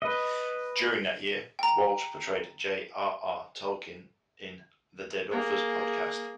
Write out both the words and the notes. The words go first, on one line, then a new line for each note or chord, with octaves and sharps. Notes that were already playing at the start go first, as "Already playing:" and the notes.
During that year, Walsh portrayed J. R. R. Tolkien in "The Dead Authors Podcast".
B4 D#5
G5 A#5
A#3 G#4